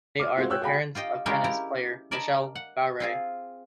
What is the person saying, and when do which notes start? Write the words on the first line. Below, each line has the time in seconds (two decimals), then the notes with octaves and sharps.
They are the parents of tennis player Michelle Bowrey.
0.20 D6 F6
0.36 G#3 C4 F4 F#4
0.50 C#5 G5 E6 F#6 G6
0.61 F#4 G#4 F5 G5 G#5 B5
0.95 F4 G4 D#5 G5
1.26 G#3 C#4 E4 F4 G4 A#4
1.44 E4 G4 A#5
2.11 A#4 D5 D#5 G#5 A5 B5
2.55 F#5
3.00 C4 F4 G#4